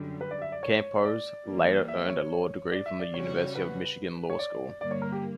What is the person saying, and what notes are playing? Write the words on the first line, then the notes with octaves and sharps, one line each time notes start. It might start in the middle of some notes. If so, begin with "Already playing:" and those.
Campos later earned a law degree from the University of Michigan Law School.
Already playing: F#2 D3 G3
B4
D5
E5
D5
C#5
D5
E3 G3 A#3
E5
C#5
D5
E5
D5
C#3 G3 C#4 F#4 C#5
B4
C#5
D5
G2 D3 A#3 D5
C#5
A#4
G4